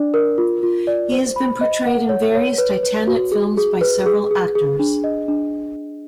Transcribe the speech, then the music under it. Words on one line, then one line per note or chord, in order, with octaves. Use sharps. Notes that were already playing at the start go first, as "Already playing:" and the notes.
He has been portrayed in various "Titanic" films by several actors.
Already playing: D4 D5
A#4
F4
F4
D5
C5
B5
D#5
F#5
C#5
C#5
B4
B4
F#4
G#4
G#4
B4
G#4
G#4
G#4
D4
D#5
D4